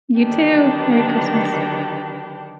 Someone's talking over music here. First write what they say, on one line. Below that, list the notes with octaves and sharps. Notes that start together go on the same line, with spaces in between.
You too, Merry Christmas.
D3 D#3 F#3 B3 D4 G4